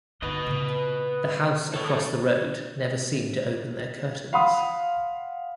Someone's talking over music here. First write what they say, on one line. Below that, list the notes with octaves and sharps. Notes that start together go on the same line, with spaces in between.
The house across the road never seem to open their curtains.
G1 D#4 B4 D#5
A#2 C#3
A4 C#5
F5 F#5 B5 C6 D#6